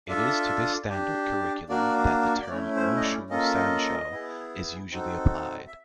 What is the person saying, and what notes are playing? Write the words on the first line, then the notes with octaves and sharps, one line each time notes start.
It is to this standard curriculum that the term "Wushu Sanshou" is usually applied.
D4 F4 A4 E5
D4 G4
A#3 D4 F#4 D5
D5
A3 C#4 E4 C#5
C5
D#5
D5
A#3 C#4 F4 A4 D#5
E5
D#5
B3 E4 G#4
C4 D#4 F#4 A4
E5